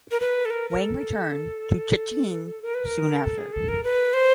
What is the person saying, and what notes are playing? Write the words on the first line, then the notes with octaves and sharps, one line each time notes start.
Wang returned to Jicheng soon after.
A#4
B4
A4
A#4
A#4
A4
A#4
B4
A#4
A4
G#4
A4
A#4
B4
C5